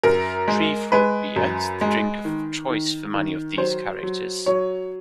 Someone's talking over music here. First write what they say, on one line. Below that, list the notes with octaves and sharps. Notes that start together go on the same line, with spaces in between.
"Tree Frog Beer" is the drink of choice for many of these characters.
F#2 A#4
G#3
G#3 B4
F#2
G#3
D#3
D#3
D#3
F#3 C5
F#3
F#3 C#5